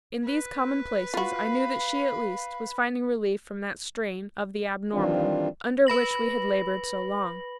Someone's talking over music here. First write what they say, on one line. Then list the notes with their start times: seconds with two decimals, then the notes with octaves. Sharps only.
In these commonplaces I knew that she at least was finding relief from that strain of the abnormal under which we had labored so long.
0.25 B4
1.14 F4 F#4 F5 B5
4.93 D#3 E3 G3 C4 D4 F4
5.87 B4 B5 A#6 F#7